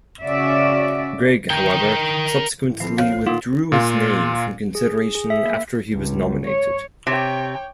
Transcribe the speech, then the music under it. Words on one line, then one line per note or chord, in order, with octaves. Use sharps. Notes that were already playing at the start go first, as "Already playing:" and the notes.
Gregg, however, subsequently withdrew his name from consideration after he was nominated.
C#3 C#4 F#4 D5 E5
A#4 G5
A1
F3 C4 A4 E5 B5 C7
B4 C#5 F5
F4 C5
A#2 D#3 A#3 F4 A4 A#4 F#5
A#2 F4
G#4
G#4
E5
A#3
C#2
C#5
C3 C#5 G5